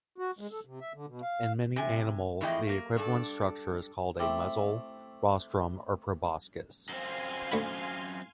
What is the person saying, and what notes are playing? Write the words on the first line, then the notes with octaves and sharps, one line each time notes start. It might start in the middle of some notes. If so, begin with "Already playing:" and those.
In many animals the equivalent structure is called a muzzle, rostrum or proboscis.
F#4
G#3
A4
C3
E5
D3
B2
F5
C3 G#5
F2 A2 E3 G#4 D#5 G5
A#3
G2 D4 A4
A3 C4 E4 G4
F#2 C4 F5 G#5 C6
D2 F#5 B5